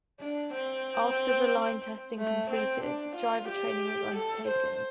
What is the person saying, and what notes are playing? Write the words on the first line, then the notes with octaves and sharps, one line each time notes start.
After the line testing completed, driver training was undertaken.
D4
C4
A3
C4
D4
F4
G4
A4
C5